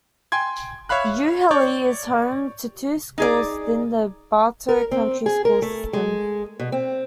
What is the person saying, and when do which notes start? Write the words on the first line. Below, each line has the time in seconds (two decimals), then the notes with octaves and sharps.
Euharlee is home to two schools within the Bartow County school system.
0.32 G5 G#5 C6 G#6
0.89 C#5 E5 F5 B5 F#6
1.51 C#5 D5 C#6 G6
3.18 D#4 G#4 D5
4.69 A#4
4.91 C4
5.26 G#4
5.45 A#4
5.62 A3
5.93 G#3
6.60 B2
6.72 C4